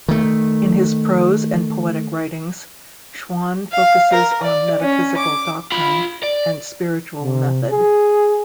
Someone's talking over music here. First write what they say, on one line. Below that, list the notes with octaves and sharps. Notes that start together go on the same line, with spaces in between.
In his prose and poetic writings, Schuon focuses on metaphysical doctrine and spiritual method.
D#3 A3
F5
A#4
D5
C#4
D6
F4 B5
D5
C3
G#4